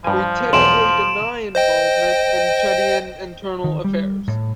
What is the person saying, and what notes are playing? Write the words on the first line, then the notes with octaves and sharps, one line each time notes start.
We technically deny involvement in Chadian internal affairs.
G2 F3 G#5
B1 E2 G5 C6 D7 E7 F#7
C5 D#5 G5
D#3
G3
A2